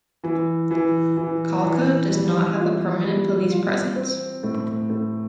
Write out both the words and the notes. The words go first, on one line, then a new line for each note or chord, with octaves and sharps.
Kalka does not have a permanent police presence.
E3
E3
E3
E3
G3
F4
G3
F4
C4
A2
A2